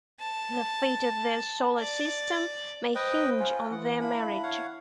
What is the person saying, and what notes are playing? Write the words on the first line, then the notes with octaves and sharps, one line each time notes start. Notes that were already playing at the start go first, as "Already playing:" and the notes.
The fate of their solar system may hinge on their marriage.
A5
D5
B4 C5 D#5 G5
C#4 F4
E3 F#5
A#3 D4 E4 B5
C#5 F5 F#5